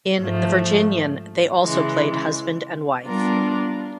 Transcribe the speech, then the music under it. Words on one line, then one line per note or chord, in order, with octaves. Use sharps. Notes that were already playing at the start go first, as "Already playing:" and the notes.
In "The Virginian", they also played husband and wife.
G#2 F3 A3
C#3 E3 G#3
G3 B3 D4 F4 A#4